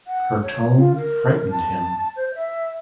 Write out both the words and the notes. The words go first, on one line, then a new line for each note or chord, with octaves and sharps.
Her tone frightened him.
F#5
C#5
F4
A#4
A5
C5
E5